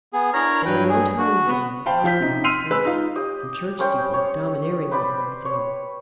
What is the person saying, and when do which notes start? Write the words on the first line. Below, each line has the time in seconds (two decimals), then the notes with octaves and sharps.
There were no towns then with houses and streets, and church steeples domineering over everything.
0.13 B3 G#4
0.33 D4 E4 A#4 C#5 A#5 F6
0.65 G2 F#3 B4 G5
0.89 G#4
1.18 D4 F#4
1.47 B3
1.86 C5 F5 G5 A5 B5
2.04 F3 F4 G6 B6
2.20 C3 C#4 D#4
2.44 C6 E6 F6 C7 D#7 F7
2.70 G#3 B4 E6
2.85 D#4 F4
3.16 G4 D#5
3.79 G3 C#4 C5 G5
4.14 C#5
4.91 B4 C5 D5 B5
5.45 C#5